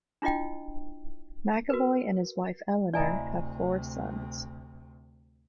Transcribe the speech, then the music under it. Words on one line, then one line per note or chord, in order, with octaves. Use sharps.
McAvoy and his wife Eleanor have four sons.
D4 E4 F4 D#5 G5
F#4 A#4 B4
D2 C3 E4 D5 D#5 G#5 A#5